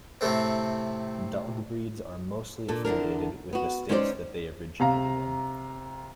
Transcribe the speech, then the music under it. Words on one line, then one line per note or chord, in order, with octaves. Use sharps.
Dog breeds are mostly affiliated with the states that they originated in.
A2 C3 A3 C4
A#2 D4 A4
E2 D3 D4 A#4
B3 F#4
G#3 C#4 D#4 E4 C5 D5
C3 F5 A#5